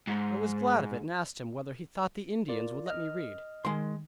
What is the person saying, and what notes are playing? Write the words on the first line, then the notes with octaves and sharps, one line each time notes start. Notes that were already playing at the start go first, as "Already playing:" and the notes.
I was glad of it, and asked him, whether he thought the Indians would let me read?
G#2
F4 A#4 D5
D#5 F6
D#3 G#3 C6